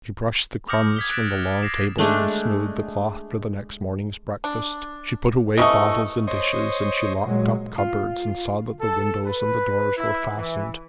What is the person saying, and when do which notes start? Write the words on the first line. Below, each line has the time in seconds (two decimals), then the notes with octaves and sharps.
She brushed the crumbs from the long table, and smoothed the cloth for the next morning's breakfast; she put away bottles and dishes, and she locked up cupboards, and saw that the windows and the doors were fastened.
0.69 D6 D#6 F6 G6 A#6 C#7
0.96 G#6 B6 G7
1.11 F#6 A6 B6 D7 E7
1.63 A#6 C7 E7
1.98 G#3 A3 D4
4.44 D4
5.57 C3 E3 A3 D#5 C#6 D#6
6.28 C5 C#5 D#5
7.25 A#2 F#3 G#3
7.78 F4
8.81 A4
9.26 B4
9.97 E4
10.37 E3